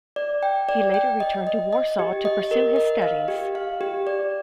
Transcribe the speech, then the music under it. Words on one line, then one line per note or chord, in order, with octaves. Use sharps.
He later returned to Warsaw to pursue his studies.
D5
G5
D5
G5
D#5
D#5
D#5
G4
D#5
A#4
D#5
F5
G4
F5
G4
D5